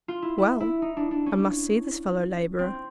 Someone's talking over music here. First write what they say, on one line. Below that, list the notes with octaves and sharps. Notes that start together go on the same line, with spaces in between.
Well, I must see this fellow-laborer.
F4
E4
E4
E4
D#4
D4
D4
C#4
C4